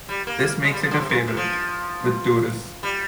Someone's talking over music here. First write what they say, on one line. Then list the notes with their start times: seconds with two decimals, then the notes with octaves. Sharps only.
This makes it a favorite with tourists.
0.09 G3
0.27 A#3
0.64 G#3
0.72 G3
0.82 F3
0.91 D3
1.00 C3
1.09 A#2
1.28 C3
1.37 F3
2.83 G3